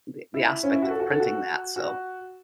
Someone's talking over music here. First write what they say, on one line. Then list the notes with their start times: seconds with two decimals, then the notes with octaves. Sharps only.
we we aspect of printing that, so
0.34 E4
0.63 C#4
0.73 E4
0.82 F#4
0.90 A4
1.00 F#4
1.10 A4
1.20 F#4
1.76 F#4